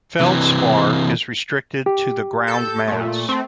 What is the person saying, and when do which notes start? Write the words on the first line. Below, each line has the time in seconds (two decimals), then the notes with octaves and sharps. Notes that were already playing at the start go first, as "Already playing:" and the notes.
Feldspar is restricted to the ground mass.
0.21 C3 E3
1.86 G4
2.47 A4 G6
2.88 A#2 A3
3.29 A3 C4